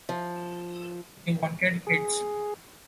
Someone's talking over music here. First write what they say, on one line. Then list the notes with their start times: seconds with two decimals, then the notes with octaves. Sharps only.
They wanted hits.
0.09 F3
1.87 G#4